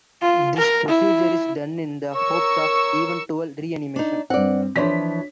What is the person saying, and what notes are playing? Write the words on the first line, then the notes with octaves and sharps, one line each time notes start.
This procedure is done in the hopes of eventual reanimation.
F4
A#4
E4
A#4 C#5 C#6 E6
D4 D#4
G2 C4 D5 F#5
E3 F3 D4 C#5 B6